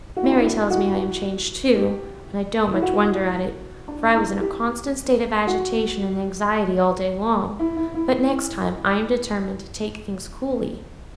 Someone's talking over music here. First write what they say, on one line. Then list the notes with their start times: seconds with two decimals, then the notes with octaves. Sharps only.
'Mary tells me I am changed too; and I don't much wonder at it, for I was in a constant state of agitation and anxiety all day long: but next time I am determined to take things coolly.'
0.16 F#4
0.24 E4
0.32 D4
0.39 E4
0.70 F#4
1.76 G4
2.73 E4
2.82 F#4
3.88 D4
4.03 D4
4.15 E4
4.41 G4
5.47 F#4
7.59 E4
7.76 E4
7.94 E4